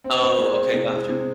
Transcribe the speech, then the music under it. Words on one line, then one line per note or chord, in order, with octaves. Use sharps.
Oh, okay. Gotcha.
C4
C4
G#3
C4
C3
G#3
C3